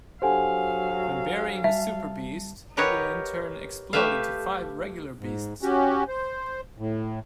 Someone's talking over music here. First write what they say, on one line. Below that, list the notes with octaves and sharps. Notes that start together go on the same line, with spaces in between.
When burying a "super-beast" it will in turn explode into five regular beasts.
F#3 D4 G4 A4 C5 F5 F#5 G#5
G3 E5 A5
G4 A#4 B4 C#5 D#5 F#5
A3 G4 B4 E5 F5
G#2
C#4 F#4 G4
C5
A2